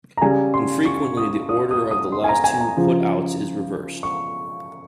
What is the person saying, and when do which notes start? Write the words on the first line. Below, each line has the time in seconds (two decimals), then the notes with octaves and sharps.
Infrequently, the order of the last two putouts is reversed.
0.17 A#5
0.21 C#3 G3 G#5
0.54 C6
0.85 C#6
1.17 D#6
1.49 D#6
1.71 D#6
1.91 D#6
2.12 C6
2.24 G#5
2.29 A#5
2.44 G#5
2.60 A#5
2.77 C#3 F3
4.03 C#6